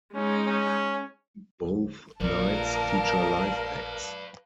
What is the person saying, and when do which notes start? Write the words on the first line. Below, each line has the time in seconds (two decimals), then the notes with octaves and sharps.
Both nights feature live acts.
0.15 G#3 C#4 D#4
0.46 C#4
2.20 A#1 A#4 B4 D5 F5 A5